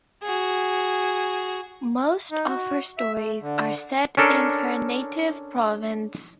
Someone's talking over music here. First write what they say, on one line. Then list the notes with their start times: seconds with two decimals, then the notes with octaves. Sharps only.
Most of her stories are set in her native Provence.
0.23 F#4 G#4
2.31 D#4
2.48 F#4
2.98 E5
3.15 A3
3.41 D3
4.17 C#4 D4 A4 A#4